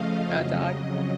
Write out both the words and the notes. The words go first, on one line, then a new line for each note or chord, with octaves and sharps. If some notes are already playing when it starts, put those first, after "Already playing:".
A dog?
Already playing: C#3 F3 A3 D#5 F5
F2 C#3 F#3